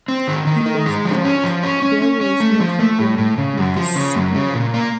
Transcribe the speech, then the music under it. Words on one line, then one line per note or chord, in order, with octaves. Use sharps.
He was told there was nothing wrong with the signal.
C4
D#3
D#3
D#4
G#3
F3
C#4
F3
C#4
C#4
C#4
C#4
A3
F3
A3
A2
A2
C#3
F#2
F3
C#3
F#2
C#3
A#2
A#3